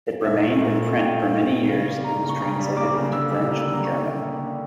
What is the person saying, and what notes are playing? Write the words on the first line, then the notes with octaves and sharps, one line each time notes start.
It remained in print for many years and was translated into French and German.
A#2 E5
A3
A#2
A3
A#2 G5
F5
A3
G5
A#2
A3
C#3 F5
G3
A#3 A#5
C#3
C#6
C#3 A#5
G3
A#3 D6
C#3
D3 E6
G3
E6
A#3
E6
D3
A#5
D3 C#6
G3
A#3
D3